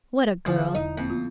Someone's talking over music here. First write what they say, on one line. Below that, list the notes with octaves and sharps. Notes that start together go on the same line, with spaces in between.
What a girl!
E2 D3 F3 F#3 B3 G#5
E1 D#4
F2 A#3 C4
B3 F4